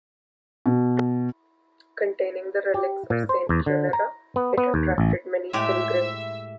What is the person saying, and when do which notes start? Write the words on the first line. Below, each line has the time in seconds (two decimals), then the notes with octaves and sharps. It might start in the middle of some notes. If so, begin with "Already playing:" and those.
Containing the relics of Saint Cunera, it attracted many pilgrims.
0.66 B2
2.74 G4
3.10 A#2
3.29 C5
3.49 E2
3.66 D3
3.93 A#5
4.36 B3
4.58 B3
4.74 D#2
4.98 A1
5.53 A2 G#3 G4 E5